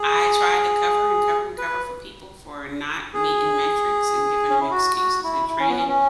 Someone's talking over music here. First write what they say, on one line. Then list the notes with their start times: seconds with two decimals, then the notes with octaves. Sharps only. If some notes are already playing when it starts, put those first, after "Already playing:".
I tried to cover, and cover, and cover for people for not meeting metrics and giving 'em excuses and training,
Already playing: G#4
1.58 B4
3.14 G#4
4.50 C#4
4.61 E4
4.71 F#4
4.97 F#4
5.23 E4
5.49 E4
5.59 C#4
5.69 B3
5.78 C#4
5.88 C#4